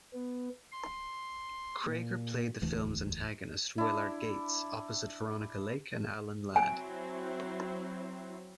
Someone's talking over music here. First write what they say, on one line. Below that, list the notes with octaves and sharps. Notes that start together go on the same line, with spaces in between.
Cregar played the film's antagonist, Willard Gates, opposite Veronica Lake and Alan Ladd.
B3
C6
A#2
E1 D2 E3 A3
D4 E4
F#3 C4 E4 G#5